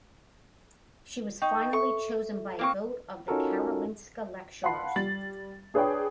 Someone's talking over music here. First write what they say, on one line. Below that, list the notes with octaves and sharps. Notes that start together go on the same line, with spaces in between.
She was finally chosen by vote of the Karolinska lecturers.
D#4 G5 C#6 G6
A4 E5 C#6
A#3 C4 C#6
C#4 D#4 F4 F#4 A4 A#4
F5 F#5 A5 B5 C6 C7
G3 A6 F#7
D4 G#4 B4 C#5 D5 G5